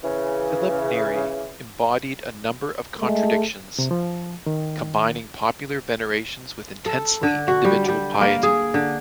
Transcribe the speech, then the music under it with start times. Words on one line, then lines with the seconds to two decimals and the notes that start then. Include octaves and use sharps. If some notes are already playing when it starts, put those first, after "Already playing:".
Philip Neri embodied a number of contradictions, combining popular venerations with intensely individual piety.
0.02 C#3 E3
3.00 G#3 A3
3.79 C3
3.91 F3
4.46 D#3
6.86 A4
7.23 D3
7.48 F#4
7.65 G3
7.88 G3
8.21 A#3
8.43 G#4
8.74 D3